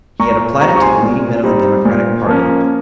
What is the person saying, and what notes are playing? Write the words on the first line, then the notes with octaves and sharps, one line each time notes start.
He had applied it to the leading men of the Democratic party.
A#2 A#5 C#6
G3 C4 D#4 A#5 C#6
C#6
G#5 C6
A#2
G3 C4 D#4
A#2
F3 A#3 C#4